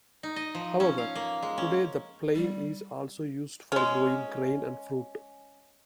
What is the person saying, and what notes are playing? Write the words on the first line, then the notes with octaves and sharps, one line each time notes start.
However today the plain is also used for growing grain and fruit.
D#4
D#5
F3
C#4
F5
A#3
G#3
C#4
G3
G#3 C#4